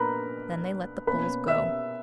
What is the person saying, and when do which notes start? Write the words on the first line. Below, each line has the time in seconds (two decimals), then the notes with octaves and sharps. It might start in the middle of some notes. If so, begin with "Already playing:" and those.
Then they let the Poles go.
Already playing: A#2 B3 D4 A#4 B4 A#5 B5
1.07 B2 A#3 C#4 B4 B5
1.48 E5 E6